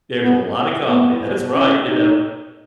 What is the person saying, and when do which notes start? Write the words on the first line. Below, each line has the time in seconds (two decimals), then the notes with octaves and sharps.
There's a lot of comedy, that's right, you know.
0.22 B3
0.88 B3
1.55 C#4
1.88 D#4